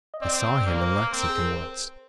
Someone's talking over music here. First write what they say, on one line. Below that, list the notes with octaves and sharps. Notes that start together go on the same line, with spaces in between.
I saw him in Lexington once.
D#5
C4 D5
D5
D5
A#3 D5
C5
A#4
C4 A#4
G#4
A#4
C5